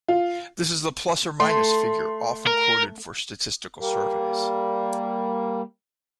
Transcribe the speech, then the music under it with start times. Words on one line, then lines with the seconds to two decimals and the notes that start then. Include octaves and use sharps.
This is the "plus or minus" figure often quoted for statistical surveys.
0.08 F4
1.40 A3 C6
2.46 A#4
3.78 G3 A#3